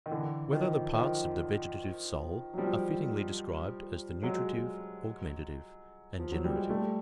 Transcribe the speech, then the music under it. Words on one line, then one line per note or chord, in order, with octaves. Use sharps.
Whether the Parts of the Vegetative Soul Are Fittingly Described As the Nutritive, Augmentative, and Generative?
D#3
D3 E3
D#3 F3
D#3 F3
F#3
F3 G3
F#3 G#3
F3
F#3
G3
G#3
G3 A3